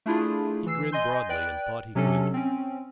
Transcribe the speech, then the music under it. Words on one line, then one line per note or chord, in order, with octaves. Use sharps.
He grinned broadly, and thought he could.
A3 D4 E4 F4 G#4
E3 E6 C7
D#5 G#5 C6 G6
B4 D5 G5 F#6
C3 F#3 C#4 D4 A4
C4 C#4